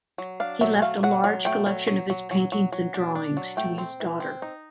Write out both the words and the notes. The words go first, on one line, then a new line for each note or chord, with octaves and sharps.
He left a large collection of his paintings and drawings to his daughter.
F#3
D4 F5
F#3 E5
A3 F5
F#3 F#5
F#3
A3 G5
F#3
F#3
F#3
F#3
F#3
F#3
D4
D4
F#3
A3 G5
C4
E3
C4
D#4